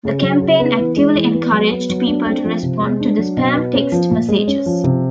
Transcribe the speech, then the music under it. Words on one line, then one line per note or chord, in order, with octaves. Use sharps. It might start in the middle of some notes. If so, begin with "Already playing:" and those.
The campaign actively encouraged people to respond to the spam text messages.
C#3
F#3
C#3
B3
E3
G#3
E3
B3
F#3
B3
F#3
D4
C4
F3
C3
G#3
D4
F#3
B2
B3
C#4
F3
A#2
G#3
C#4
F3
C3